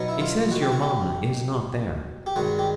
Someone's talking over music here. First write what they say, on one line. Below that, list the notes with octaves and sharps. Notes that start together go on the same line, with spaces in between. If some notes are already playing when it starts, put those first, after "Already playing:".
He says your mamma is not there.'
Already playing: B2 F#3 B3 D#4
E4
F4
F#4
G4
F#4
G4
G4
G2 D#3 G#3 F#4
G4